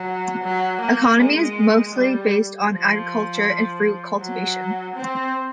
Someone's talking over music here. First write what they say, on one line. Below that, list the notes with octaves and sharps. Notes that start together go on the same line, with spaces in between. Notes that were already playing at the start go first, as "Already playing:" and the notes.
Economy is mostly based on agriculture and fruit cultivation.
Already playing: F#3
F#3
A#3
G#3
G3
F3
F#3
C4